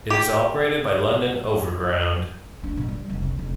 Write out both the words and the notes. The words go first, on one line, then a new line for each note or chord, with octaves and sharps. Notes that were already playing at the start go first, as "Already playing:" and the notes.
It is operated by London Overground.
G4
D4
B2
G3
F1
C2
F1